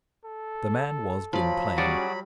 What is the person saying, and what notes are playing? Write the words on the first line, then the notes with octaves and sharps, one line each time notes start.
The man was Gwynplaine.
A4
F3 F#3 D5 B5
G3 C#4 F#4 G#4 D5